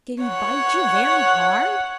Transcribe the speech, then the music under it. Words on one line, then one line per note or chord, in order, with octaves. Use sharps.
"Did he bite you very hard?"
C#5 F#5